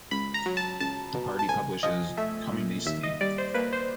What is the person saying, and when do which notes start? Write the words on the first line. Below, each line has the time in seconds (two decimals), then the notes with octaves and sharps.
The party publishes "Komunisti".
0.11 C#2 B5
0.34 A#5
0.46 F#3
0.57 A5
0.80 C#2 A5
1.14 B2
1.39 A5
1.49 C2 G#5
1.83 F3 D#5
2.17 A3 E5
2.52 A#2
2.86 D#2 E5
3.03 D#5
3.21 G3 D5
3.38 C5
3.54 A#3 B4
3.73 C5